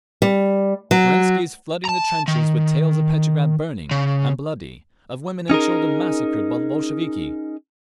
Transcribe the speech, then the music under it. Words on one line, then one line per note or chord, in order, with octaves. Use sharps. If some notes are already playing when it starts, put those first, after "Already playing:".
Kerensky is flooding the trenches with tales of Petrograd burning and bloody, of women and children massacred by the Bolsheviki.
G3
F#3
A5 A#5
D#3
C#3
C#4 D#4 G#4 A#4